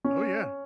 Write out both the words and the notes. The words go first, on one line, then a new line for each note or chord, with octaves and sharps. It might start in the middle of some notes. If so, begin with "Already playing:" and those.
Oh, yeah.
C#4